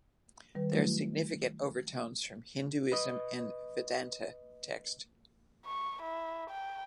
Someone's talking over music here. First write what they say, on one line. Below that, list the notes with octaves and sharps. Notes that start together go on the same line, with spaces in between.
There are significant overtones from Hinduism and Vedanta text.
D#3 G3 B4
F#3 A3 D4 E4 F#4
B4 D#5
C#6
E4
G5